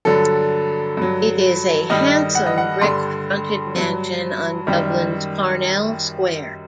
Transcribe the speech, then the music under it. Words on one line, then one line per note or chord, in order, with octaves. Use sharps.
It is a handsome brick fronted mansion on Dublin's Parnell Square.
G2 D3 F#3 A4
G2 F#3
G2 D#3 G3 D#5
F#5
D#5
F#5
G2 D3 G3 C6
G2 F#3
F#2 D#3 G3